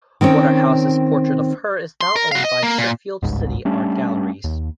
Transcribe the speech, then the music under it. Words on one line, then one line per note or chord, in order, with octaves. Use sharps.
Waterhouse's portrait of her is now owned by Sheffield City Art Galleries.
D#3 C4 C#4 C#5
C6
A#4
F#4 F5
D#5
A#3
A#2
G1 C#2 G#2
G3 A3 C#4 D4
D#2